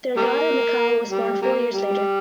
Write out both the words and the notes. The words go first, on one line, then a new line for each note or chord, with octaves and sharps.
Their daughter Michal was born four years later.
G3 A#3
G3
G3 A#3
G3